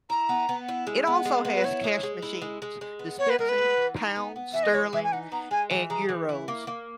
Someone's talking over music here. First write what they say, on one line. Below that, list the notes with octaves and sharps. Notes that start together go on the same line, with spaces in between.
It also has cash machines, dispensing pounds sterling and euros.
E4 A#5
B3
B3
E4
G#3
B3
G#3
B3
B4
E4 C#5
G#3
G#3
E4
G#3
G#3
G#3
B3
B3 C#5
B4
G#3 A#4
B4
B3
E3
D#4
B3
B3
E3 E5
D#5
G#3 C#5
E3 E5
G#5
D#4 F#5
B3 A#5
G#3 G#5
E3
G#3 A#5
E3
E4
A#3
A#3